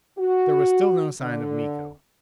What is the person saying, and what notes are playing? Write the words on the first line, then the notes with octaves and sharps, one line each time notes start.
There was still no sign of Miko.
F#4
D3